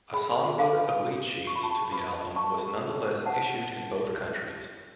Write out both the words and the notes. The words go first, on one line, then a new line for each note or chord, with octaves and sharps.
A songbook of lead sheets to the album was nonetheless issued in both countries.
G#4 G#5 B5
F4
F5 G#5
B4
F4
G#4
C#6
B5
F4 A5 C#6
B4 B5 D6
F4
A5 C#6
G#4
F4
B4
F#5 A5